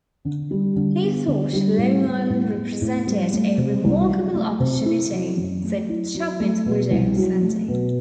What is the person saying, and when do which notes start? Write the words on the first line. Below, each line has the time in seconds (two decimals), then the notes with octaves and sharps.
"He thought Long Island represented a remarkable opportunity", said Chapin's widow, Sandy.
0.25 D3
0.51 G3
0.76 D3
1.02 B3
1.27 D3
1.53 G3
1.78 A2
2.04 G3
2.30 A2
2.56 B3
2.81 A2
3.07 G3
3.33 A3
3.57 C3
3.84 C2
4.09 F#3
4.34 A3
4.60 C3
4.86 E4
5.12 F#3
5.37 F#2
5.63 A3
5.89 E4
6.15 F#3
6.40 A3
6.66 B2
6.91 C2
7.16 F#3
7.42 A3
7.68 B2